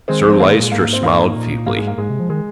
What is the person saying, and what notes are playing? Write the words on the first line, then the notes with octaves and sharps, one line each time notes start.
Sir Lyster smiled feebly.
D#3 G#3 C4
F3 C4
D#3 A#3
A#2 G#3
G#2 A#3
A#3
C4
A#3 D#4
A#2
G#2 A#3
G#3
A#3
G#2 G#3
C3
F3
D#3 G#3